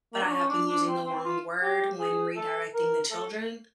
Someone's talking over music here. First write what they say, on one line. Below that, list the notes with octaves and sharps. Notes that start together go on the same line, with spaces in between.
but I have been using the wrong word when redirecting the children,
A#3
D4
C#4
D4
D4
C4
C4
F4
G4
G#4
A4
A#4
A4